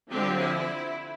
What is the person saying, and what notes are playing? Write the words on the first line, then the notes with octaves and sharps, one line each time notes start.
Oh, no.
D3 F3 C4 G4
E4